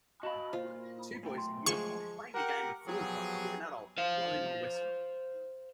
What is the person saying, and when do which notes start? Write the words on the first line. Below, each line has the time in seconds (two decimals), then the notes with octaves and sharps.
Two boys in uniform playing a game of field hockey with an adult blowing on a whistle.
0.23 F#4 D#5 F5 A5 B5
0.53 A#2 F4 C5
1.23 F#2 A3 G5
1.38 C6
1.66 F3 G#3 G#4 C#6
2.34 G4 A#4 F#5
2.86 F3 F#3 B3 G4 G#4
3.98 C5 F5